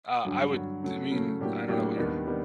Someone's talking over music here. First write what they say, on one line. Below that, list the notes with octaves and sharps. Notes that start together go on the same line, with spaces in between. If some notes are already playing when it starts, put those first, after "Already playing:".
Uh, I would I mean, I don't know what your
G2 D3 F#3
G2 D3 F#3
C#3 F#3 A3
C#3 F#3 A3
A2 F#3 A#3 D4 G4
A2 F#3 A#3 D4 G4
D#2 D#3 G3 B3 D4
D#3 G3 B3